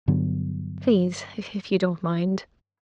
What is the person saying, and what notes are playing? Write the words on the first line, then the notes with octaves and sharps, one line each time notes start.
"Please--if you don't mind."
G2 D3 F#3 B3